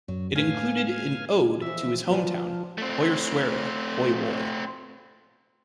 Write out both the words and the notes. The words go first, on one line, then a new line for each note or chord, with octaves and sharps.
It included an ode to his hometown, Hoyerswerda, Hoy Woy.
F#2 F#3
A2 B4 F5 G#5
E3 F3 E5
F3 B4 D5 G#5
A3 C4